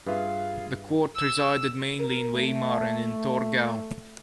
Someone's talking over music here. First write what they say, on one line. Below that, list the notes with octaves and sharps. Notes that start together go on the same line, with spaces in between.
The court resided mainly in Weimar and in Torgau.
G2 F4 G#4 B4 E5 F5
E6
A#4
A3